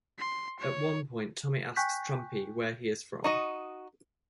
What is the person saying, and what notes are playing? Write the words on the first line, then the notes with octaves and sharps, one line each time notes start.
At one point, Tommy asks Trumpy where he is from.
C6
C#5
G5 G#5 C#6 F#6 G6 B6
D#4 F#4 D#5